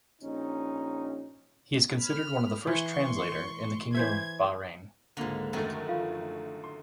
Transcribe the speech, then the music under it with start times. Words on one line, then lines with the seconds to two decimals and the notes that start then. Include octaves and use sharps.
He is considered one of the first translator in the Kingdom of Bahrain.
0.22 A#1 C#4 D#4
1.97 B5 F6
2.67 E3 C6 C#6
3.95 E3 C5 E5 G#6
5.17 C#2 G#2 D3 A#3 F7
5.53 F#2 D3 D#3 A3
5.88 F3 F4 F5
6.64 C6